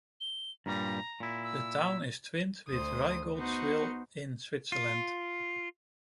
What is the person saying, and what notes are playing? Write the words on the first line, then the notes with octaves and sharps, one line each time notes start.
The town is twinned with Reigoldswil in Switzerland.
G7
G2 A#2 G3 A#5
A#2 E4
E6
D2 C5 D#6
B3 D#4 F#4 C5
F4